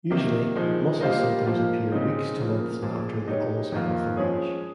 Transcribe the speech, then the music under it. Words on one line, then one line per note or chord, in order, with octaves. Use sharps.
Usually, muscle symptoms appear weeks to months after the onset of the rash.
C3 D#3 A#3
F3 G#3 D#4
G3 A#3 F4 C5 D#5
F3 A#3 F4
C#3 G#3 C4 D#4
C#3 F3 A#3
A#2 F3 G#3
G#3 D#4 G4 C#5
F2 D#3 A#3 F4
F3 G#3 C#4 G#4